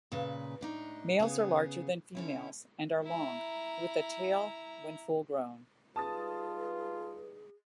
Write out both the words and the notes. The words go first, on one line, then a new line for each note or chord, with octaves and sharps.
Males are larger than females and are long, with an tail when full-grown.
A#2 C#3 B4
A2 D4 D#4
C#3 B3 G#4
D3 C#4 E4
E4 A#5
G3 D#4 F4 G#4 B4 A5 D#6 A6